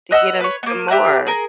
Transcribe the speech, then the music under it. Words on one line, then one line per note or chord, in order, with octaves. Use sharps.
to get 'em some more.
B4 D#5 F#5 E6
B4 C#5
A#3 B3
G4 E5 A#5 F#6
G#4 A#4